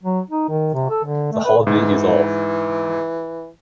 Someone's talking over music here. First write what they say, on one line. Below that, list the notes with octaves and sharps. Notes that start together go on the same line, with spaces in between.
The whole thing is off.
F#3
D#4
D#3
C3
A4
D3
A3
B4
G#2 E3